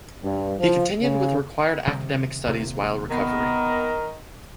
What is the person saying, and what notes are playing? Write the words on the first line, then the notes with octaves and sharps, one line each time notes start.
He continued with the required academic studies while recovering.
G2
F3
C#3
C3 D#3 G3
D#1 C3 A#3
D#3 B3 A#4